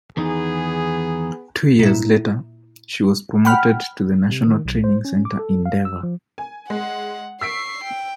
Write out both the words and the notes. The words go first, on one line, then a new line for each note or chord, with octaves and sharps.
Two years later, she was promoted to the national training center in Deva.
E2 D#3 B3 D#4 G#4
A#2 E4
F#5 G5 B5 F6
C3
D#3
B1
C5
C#4
D6
A4
F5
E6
F3
G#5
G#3 F#5
C#6 E6 B6 C7 D7
G5